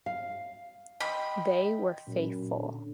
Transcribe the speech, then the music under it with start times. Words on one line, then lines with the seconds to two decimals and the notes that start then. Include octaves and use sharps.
They were faithful.
0.06 F5
1.00 D#5 G5 B5 C6
2.07 F#2 A#2
2.56 D3